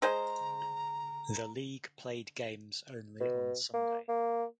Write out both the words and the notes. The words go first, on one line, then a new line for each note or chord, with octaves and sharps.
The league played games only on Sunday.
G#3 G#4 C5 A#5
B2
A#3
A#3